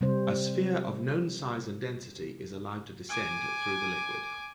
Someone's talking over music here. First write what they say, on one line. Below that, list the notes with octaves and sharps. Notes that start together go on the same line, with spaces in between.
A sphere of known size and density is allowed to descend through the liquid.
C3 G3 C4 C5
G#5 D6